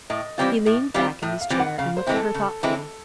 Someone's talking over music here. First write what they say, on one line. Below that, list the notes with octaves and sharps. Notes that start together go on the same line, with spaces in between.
He leaned back in his chair and looked at her thoughtfully.
A2 D#5
E3 G3 C4 F4
A2
E3 G3 C4 F4
A2 E5
F5
E3 G3 C4 F4
F#5
C#3 F5
C5
E3 G#3 C4 E4
A4
C#3
E3 G#3 C4 E4